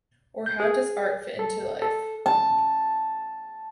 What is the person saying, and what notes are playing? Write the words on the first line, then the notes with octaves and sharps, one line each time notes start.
Or how does art fit into life?
G6
G#4
A4
A4
A5